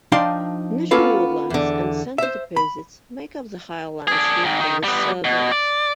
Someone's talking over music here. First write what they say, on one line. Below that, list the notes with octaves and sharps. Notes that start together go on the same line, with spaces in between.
Natural woodlands and sandy deposits make up the higher landscape of this suburb.
F3 D4 D#4 F5 G5 C6
A#3 B3 C#4 F4 A4 B4
E2 D3
C5 E5
B5
D4 G#4
G#2 D#3
D#3
G3 B3
B2
D5